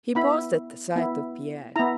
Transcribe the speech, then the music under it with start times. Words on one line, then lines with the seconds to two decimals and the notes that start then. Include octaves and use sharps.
He paused at the sight of Pierre.
0.15 B3 E4 B5
0.96 B3 E4
1.76 B3 E4 A#5